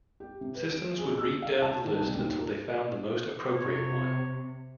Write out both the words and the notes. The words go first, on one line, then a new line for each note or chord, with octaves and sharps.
Systems would read down the list until they found the most appropriate one.
G4
C3
B4
D7
G#4
E6
F5
A5
D#3
C2
D#2
C3 C#5